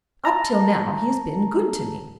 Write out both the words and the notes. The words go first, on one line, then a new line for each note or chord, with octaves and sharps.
Up till now he has been good to me.
A5 A#5